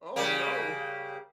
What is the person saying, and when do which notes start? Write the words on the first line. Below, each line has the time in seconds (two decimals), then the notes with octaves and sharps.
Oh, no!
0.16 C#3 G3 A#3